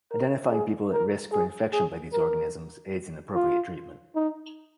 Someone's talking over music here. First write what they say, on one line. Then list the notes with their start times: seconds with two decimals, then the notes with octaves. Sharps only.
Identifying people at risk for infection by these organisms aids in appropriate treatment.
0.11 A#4
0.51 G#4
0.92 A#4
1.32 G#4
1.73 G#4
2.13 A#4
3.35 F4
4.16 D#4